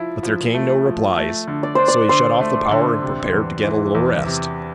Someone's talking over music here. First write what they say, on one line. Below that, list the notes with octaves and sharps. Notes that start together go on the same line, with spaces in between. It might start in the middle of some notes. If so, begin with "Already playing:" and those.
But there came no replies, so he shut off the power, and prepared to get a little rest.
Already playing: F3 E4
F3
A3
F3
A3
D3
D5
D4 C5
D5
D3 C5
A3
D3
C3
E2
E3
E2
C3